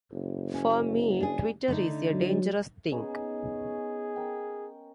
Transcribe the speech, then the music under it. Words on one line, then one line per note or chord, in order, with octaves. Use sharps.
For me Twitter is a dangerous thing.
F#1
C#4
D4 G#4
D3 A3 D#4
F#3
B3 C#4 D#4 G#4
A#4 G5